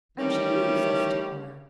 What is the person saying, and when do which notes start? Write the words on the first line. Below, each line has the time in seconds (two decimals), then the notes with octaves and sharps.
And she leaves us to-morrow.
0.18 D#3 E3 G3 A3 C#4